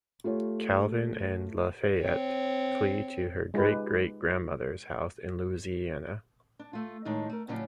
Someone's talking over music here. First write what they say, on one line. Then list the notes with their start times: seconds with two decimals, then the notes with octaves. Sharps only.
Calvin and LaFayette flee to her great-great-grandmother's house in Louisiana.
0.24 A3 F4 G4 C#5
1.99 C4 C#5
3.54 G#3 D#4 F4 G4 B4
6.59 D4
6.73 A3 F4
7.05 A2 D#3 G#3 D4 D#4
7.30 A3 A#4
7.48 A2 C#3 F3 F#3 C#4 D4